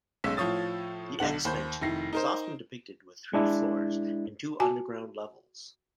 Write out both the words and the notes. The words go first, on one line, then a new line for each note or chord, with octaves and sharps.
The X-Mansion is often depicted with three floors and two underground levels.
B1 G#3 C#4 E6
A2 F3 F4 C#5 D#6 A6
B1 D3 F#5 F#7
D#2 C5 B5 G6
F1 D#3 E4 A#6 C7
D#4 A#4 C5
G#3 D4 E4
F#4 G#5 A5